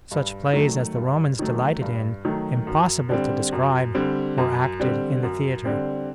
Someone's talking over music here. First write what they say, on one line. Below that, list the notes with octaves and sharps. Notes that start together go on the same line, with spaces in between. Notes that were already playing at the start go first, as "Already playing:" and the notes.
Such plays as the Romans delighted in, impossible to describe, were acted in the theatre.
G2
D#3 F#3 A3
G2
D#3 F#3 A3
G2
D#3 F#3 A3
F#2
D3 G3 C4
F#2
D3 G3 C4
F#2
D3 G3 C4
F#2
D3 G3 C4